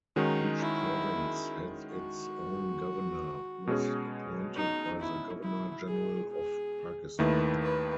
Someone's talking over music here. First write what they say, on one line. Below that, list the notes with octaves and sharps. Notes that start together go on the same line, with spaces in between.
Each province had its own governor, who was appointed by the Governor-General of Pakistan.
D#3 G#3 C#4 D#4 F#4
E4
F#4
B2 G#3 C#4 G#4
D#4
E4
E4
G#4
G#4
D#2 D#3 A3 E4 B4
B4